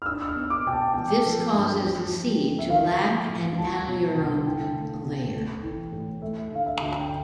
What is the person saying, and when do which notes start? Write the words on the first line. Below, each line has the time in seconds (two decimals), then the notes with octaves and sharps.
This causes the seed to lack an aleurone layer.
0.02 F6
0.06 D4 E6
0.22 E6
0.28 F6
0.36 B3
0.50 D6
0.65 B2 G5
0.72 A5
0.94 B3 G5
1.24 F3
1.53 G2
1.81 C4
2.11 F3
2.41 D3
2.59 E5
2.70 C4 F5
2.99 F3
3.29 A2
3.58 G3 A5
3.87 B2
4.17 C2
4.46 E4 G5
4.75 A3
5.04 B2
5.33 A3
5.63 E3
5.92 A2
6.22 A3 E5
6.51 D3 F5
6.66 E5
6.80 D2
7.01 G5